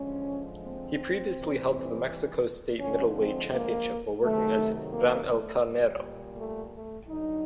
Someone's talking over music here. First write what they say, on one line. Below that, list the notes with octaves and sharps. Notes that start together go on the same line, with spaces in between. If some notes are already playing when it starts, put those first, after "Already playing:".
He previously held the Mexico State Middleweight Championship while working as Ram el Carnero.
Already playing: D3 F3 G#3 C#4
C4
C3 E3 G3
D3 F3 G#3 C#4
C4
A#3
C3 D#3 F#3 A3
A#3
A3
A#2 G3
A3
A3
D3 F#3 D#4